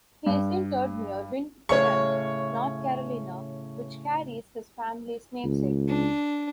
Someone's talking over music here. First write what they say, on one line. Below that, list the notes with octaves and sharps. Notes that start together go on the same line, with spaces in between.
He is interred near Winton, North Carolina, which carries his family's namesake.
G2
A2 C#3 C#5 C#6
C#2
D4